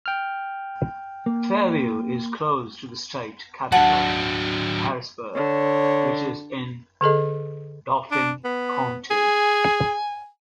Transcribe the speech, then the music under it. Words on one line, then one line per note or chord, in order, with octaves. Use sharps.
Fairview is close to the state capital, Harrisburg, which is in Dauphin County.
G5 F6
A#3
F#3 D4 F#5 A5
D3 C#5
D3 G#4 A4 D#5
D4
B3
G#4 G#5